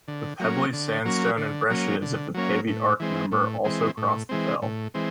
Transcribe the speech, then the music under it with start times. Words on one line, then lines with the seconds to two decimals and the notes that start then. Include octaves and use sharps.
The pebbly sandstone and breccias of the Pavey Ark Member also cross the fell.
0.08 D3
0.40 F#3 A#3 C#4
0.73 D3
1.05 F#3 A#3 C#4
1.37 D3
1.70 F#3 A#3 C#4
2.02 D3
2.34 F#3 A#3 C#4
2.68 A2
3.00 E3 G#3 C4
3.32 A2
3.64 E3 G#3 C4
3.97 A2
4.29 E3 G#3 C4
4.62 A2
4.94 E3 G#3 C4